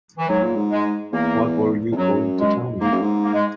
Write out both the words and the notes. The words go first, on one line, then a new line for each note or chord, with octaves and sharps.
What were you going to tell me?
E3
G#2 F#3
A#2
G#2
G#3
E2 A#3
E2
F#2 F#3
G#3
G#2 A#3
F#2
G#2
A#3
G#3